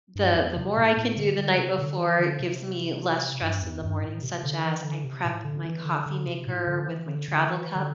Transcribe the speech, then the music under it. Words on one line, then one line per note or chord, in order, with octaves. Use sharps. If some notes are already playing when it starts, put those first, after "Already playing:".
the the more I can do the night before, it gives me less stress in the morning, such as, I prep my coffee maker with my travel cup,
G2
E2
C3
A2
A2
D3
D3
C3
D3
E3
D3
C3
G2
E2
G2
A2
C3
D3
E3
D3
C3
A2
D3
E3
D3
D3
C3
A2
D3
E3
D3
D3
E3
D3